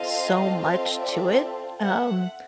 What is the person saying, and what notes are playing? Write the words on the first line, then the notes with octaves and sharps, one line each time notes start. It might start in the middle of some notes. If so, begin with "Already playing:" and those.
so much to it, um
Already playing: C4 F4 A4 D#5 F5
D#5 F5
D5 E5
E5 F#5